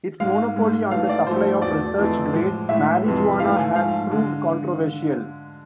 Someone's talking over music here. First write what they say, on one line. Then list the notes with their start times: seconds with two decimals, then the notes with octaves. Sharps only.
Its monopoly on the supply of research-grade marijuana has proved controversial.
0.20 G#2 G#3 F5
0.56 G#2 G#3
0.91 G#2 E3 A3 F5
1.09 D5
1.27 G#2 F3 A3 C5
1.62 E2 B2 A3 D5
1.98 F2 E3 A3
2.33 A2 F3 G#3
2.69 A2 G#3 E5
3.04 F2 C3 E3 G#3
3.40 G#2 E3 A3 F5
3.57 G#5
3.75 G#2 F3 A3 F5
4.11 D3 G#3